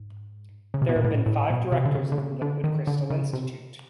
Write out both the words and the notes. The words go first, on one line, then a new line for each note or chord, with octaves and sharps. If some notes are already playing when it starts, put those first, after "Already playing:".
There have been five directors of the Liquid Crystal Institute.
Already playing: G#2
C#3
C3
B2
A#2
A2
A2
B2
C3
D3
C#3
D3
C#3
D3
D#3
D3
C#3
C3